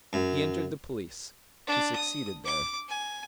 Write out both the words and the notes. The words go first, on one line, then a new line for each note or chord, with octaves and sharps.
He entered the police; he succeeded there.
F#2
D4
D#6
D6
G#5